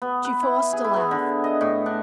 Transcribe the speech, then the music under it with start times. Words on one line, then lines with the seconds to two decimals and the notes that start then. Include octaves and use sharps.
She forced a laugh.
0.02 B3
0.25 B4
0.43 E4
0.73 G#4
0.84 E4
0.96 B3
1.11 D3
1.44 D#5
1.61 A2
1.86 D4